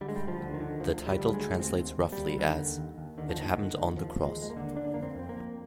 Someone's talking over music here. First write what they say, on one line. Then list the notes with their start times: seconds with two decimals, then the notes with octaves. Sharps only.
The title translates roughly as "It Happened on the cross".
0.01 D3 G3
0.09 G#3
0.16 G3
0.21 D2
0.28 F3
0.41 D3
0.54 D#3
0.60 D3
0.80 D2 F3
1.00 D2
1.07 G3
1.20 D2
1.34 G#3
1.39 D2
1.59 D#2 C4
1.79 D#2
1.99 D#2
2.12 G3
2.19 D#2
2.39 D3 D#3
2.59 D#2
2.78 D#2
2.98 D#2
3.18 D3 D#3
3.29 F3
3.37 D#2 D#3
3.57 D3
3.78 D#2
3.97 D#2 F3
4.17 D#2
4.23 G#3
4.37 D#2
4.42 G#3
4.50 A#3
4.57 D3
4.76 D3 D4
4.94 F2 A#3
5.02 C4
5.16 F2 C4
5.29 A#3
5.36 F2